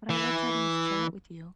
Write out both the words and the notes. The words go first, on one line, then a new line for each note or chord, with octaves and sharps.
but I loved having this chat with you.
E3